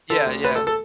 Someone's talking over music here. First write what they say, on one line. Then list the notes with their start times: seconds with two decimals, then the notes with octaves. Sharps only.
Yeah, yeah.
0.10 D3 A4
0.26 D2
0.44 D2 B4
0.56 A4
0.67 A4